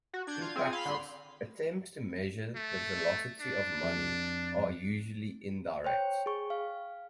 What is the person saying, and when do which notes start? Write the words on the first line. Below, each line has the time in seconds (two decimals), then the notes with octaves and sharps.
In practice, attempts to measure the velocity of money are usually indirect.
0.13 F#4
0.27 D4 G6 G#6
0.41 F4
0.56 C4 G#4
0.73 F5 B5 C6
0.86 D3
2.55 A3
3.41 D4
3.83 F2
5.84 C5 C#5 G5
6.26 G#4 C#6
6.50 F5